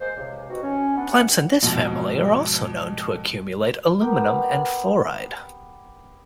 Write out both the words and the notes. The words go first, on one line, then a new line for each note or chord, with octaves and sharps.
Plants in this family are also known to accumulate aluminum and fluoride.
G#3 A#3 G#4 C5
C#2 C3
B2 C4 D#4 F#4
C#4
B3 D4
G3 B3 E5 F#5
F2 G#2 B2
B3 G4 A#4